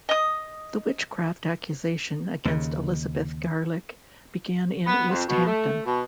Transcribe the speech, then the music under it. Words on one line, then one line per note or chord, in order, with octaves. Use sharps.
The witchcraft accusation against Elizabeth Garlick began in East Hampton.
D#5 D#6
D#2 C#3
B3
F2
B2
A3
B2